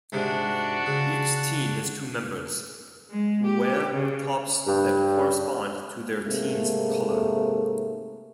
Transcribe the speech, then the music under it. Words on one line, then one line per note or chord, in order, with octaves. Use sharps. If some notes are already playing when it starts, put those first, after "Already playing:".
Each team has two members, who wear tops that correspond to their team's colour.
G#2 C3 D4 F#4
C#3
G#3
G4
C#3
G2
G#2 C3 A3 A#3